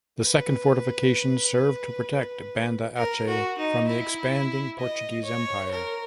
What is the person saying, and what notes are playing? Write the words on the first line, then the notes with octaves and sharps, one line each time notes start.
The second fortification served to protect Banda Aceh from the expanding Portuguese Empire.
B4
A#4
F#4
D#4
E4
D#5
C#5
A#4